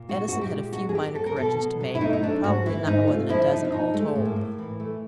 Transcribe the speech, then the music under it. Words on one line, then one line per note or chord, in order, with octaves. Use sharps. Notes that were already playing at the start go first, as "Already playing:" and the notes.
Edison had a few minor corrections to make, probably not more than a dozen all told.
Already playing: A#2
G#3 F#4
A#2 F#4
G4
G#3
F#3 F#4
G#4
F#3 G4
F#3 A4
A#4
B2 A4
B2
F#3
E4
A3 D#4
D#4
A3 D4
G#2 F#4
E3 E4
G#2 D#4
A3 F4
F3 E4
F3 D#4
D4
F3 D#4
G#3 A3
A2
A#3
A2
E3
A3